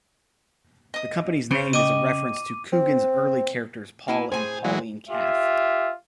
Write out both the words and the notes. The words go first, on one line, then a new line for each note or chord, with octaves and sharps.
The company's name is a reference to Coogan's early characters Paul and Pauline Calf.
D#5 D#6
C#3 C5
D#5 G5 D6 D#7
C4
A#3 E4 G#5
A2 G#4 C5 G#5
E3 F#3 G#3
F4 G4 E5